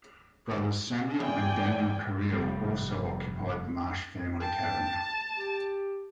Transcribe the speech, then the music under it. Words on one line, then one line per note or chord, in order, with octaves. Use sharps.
Brothers Samuel and Daniel Carriel also occupied the Marsh family cabin.
E2 D5 G5 G#5
F1 G3
G5 A5
G4